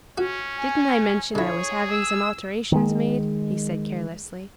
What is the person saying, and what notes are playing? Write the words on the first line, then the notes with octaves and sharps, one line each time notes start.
"Didn't I mention I was having some alterations made?" he said carelessly.
C#4 F#4
G#5
D3 E4 G#4 C#5
E6
D#3 G#3